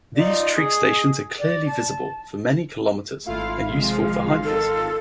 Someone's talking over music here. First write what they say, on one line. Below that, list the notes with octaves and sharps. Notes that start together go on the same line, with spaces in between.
These trig stations are clearly visible for many kilometres and useful for hikers.
D#4 F4 D5 F5
G#4 D#5 D#6
D5
A5
G#1 A3 E4 F4 F5
C3 F3 G#3
D#3 A4